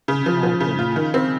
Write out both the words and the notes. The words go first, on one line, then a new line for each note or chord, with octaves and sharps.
You know what that means.
C#3
F3
F3
C#3
F4
D#3
C4